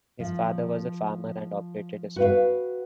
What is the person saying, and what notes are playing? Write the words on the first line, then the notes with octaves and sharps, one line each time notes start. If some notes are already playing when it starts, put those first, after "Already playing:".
His father was a farmer and operated a store.
F3
F#4 B4 F5